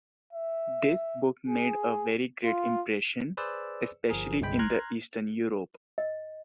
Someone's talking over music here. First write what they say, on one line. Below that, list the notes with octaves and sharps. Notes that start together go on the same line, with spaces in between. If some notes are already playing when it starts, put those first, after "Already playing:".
This book made a very great impression, especially in the Eastern Europe.
E5
G#4
F4
G#4 B4 C5 D5 E6
G1 F3 G#4 A#4
G1 C2 G#3 G5 B5
A#5 C6 F6 F#6 G#6
D#5